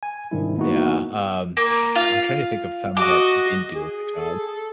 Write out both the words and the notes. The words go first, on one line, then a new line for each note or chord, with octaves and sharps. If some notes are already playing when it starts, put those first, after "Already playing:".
Yeah, um Ah, I'm trying to think of some that didn't do a good job.
G#5
G#2 C3 D#3 G3 D4 E4
A#3 B3 D#4 E4 F#4
A#3
F4 F5
F#4 D#5 D6
G#4
A4